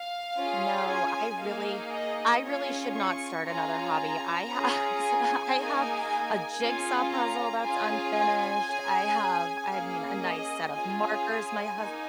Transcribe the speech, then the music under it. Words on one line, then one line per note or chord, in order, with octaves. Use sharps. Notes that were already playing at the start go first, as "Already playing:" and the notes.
No, I really I really should not start another hobby, I have so I have a jigsaw puzzle that's unfinished, I have I mean, a nice set of markers, my hus
Already playing: F5
C#4 F4 G#4
G#5
A#3 D#4 G#4 F5
D#5
C#4 F4 G#4 C#5
C#6
C#4 F4 G#4 A#5
C#4 F4 G#4
G#5
A#3 D#4 G#4
G#5
C#4 F4 G#4
A#5
C#4 F4 G#4 G#5
G#5
C#4 G#4
A#3 C#4 G#4 F5
D#5
C#4 F4 G#4 G#5
A#3 D#4